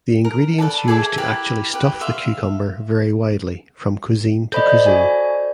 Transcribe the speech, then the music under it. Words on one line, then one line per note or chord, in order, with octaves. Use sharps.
The ingredients used to actually stuff the cucumber vary widely from cuisine to cuisine.
A#4
A4 B4 D5 A5
G#4 A4 E5 D6
E4 G4 A#4 B4
G4 B4
E5 F5 C6
A4 C5 D5 D#5 B5 G6
F#4 G#5